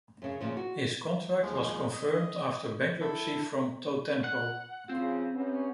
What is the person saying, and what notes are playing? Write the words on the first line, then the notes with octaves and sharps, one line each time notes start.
His contract was confirmed after bankruptcy from Totempo.
F#2 C#3
A#2 C#3 F3
F#4
D#2 F3 G#3
D#5
E4 A4
F#5
C#3 F3 C4 F4
C3 B3 C#4